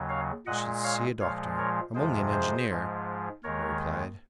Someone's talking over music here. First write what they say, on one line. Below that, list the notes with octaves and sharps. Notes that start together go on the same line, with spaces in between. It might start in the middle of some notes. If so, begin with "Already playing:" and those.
"I should see a doctor; I'm only an engineer," I replied.
Already playing: D#2 C#3 F#3
C#5 F5
A#2 G#3 D#5 F#5
C#5 F5
A#2 F3 G#3 C#5 F5
A#4 C#5
F2 C3 F3 G#3 G#4 C5
G#4 C5
G#2 F3 G#3
D#2 D#3 G#3 A#4 C#5